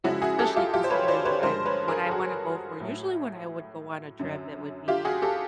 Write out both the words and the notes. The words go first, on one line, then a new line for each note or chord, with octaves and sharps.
especially considering what I what I wanna go for. Usually, when I would go on a trip, it would be,
F#2 C#3 F3 G#3 E4 F#4
F#4 G#4
G4 A4
F4 G4
F4 G4
C5
B4 C#5
C#5
C5 D5
B4 C#5
G2 D3 F3 G#3 A#4 C5
B4 C#5
G#4 A#4
A4
F#4 G#4
A2 F#3
F#2 D3 F#3
F4 G4
F#4 G#4
G4 A4